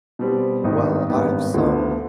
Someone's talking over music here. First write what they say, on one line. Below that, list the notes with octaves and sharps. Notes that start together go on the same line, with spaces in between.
Well, I have some
B2 G3 C4
G#1 G2 D#3 B3 D#4
G#1 G2 D#3 B3 D#4
D2 D3 F3 B3